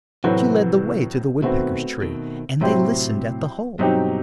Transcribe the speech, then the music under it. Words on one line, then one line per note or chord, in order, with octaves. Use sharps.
She led the way to the woodpecker's tree, and they listened at the hole.
A2 C3 E3 F#3 C4 F#4 B4
B2 D#3 A3 C4 F#4 B4
B2 D#3
A2 C3 F#3 C4 E4 G4 C5
G2 B2 F#3 C4 D#4 G4